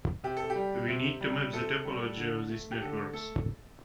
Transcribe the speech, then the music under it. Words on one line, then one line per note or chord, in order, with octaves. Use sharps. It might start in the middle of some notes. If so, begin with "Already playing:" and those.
We need to map the topology of these networks.
C3 G4
A4
G4
G3
C3
G3
C3 A4
G3
D3
A3
G4
D3 A4
A3 A4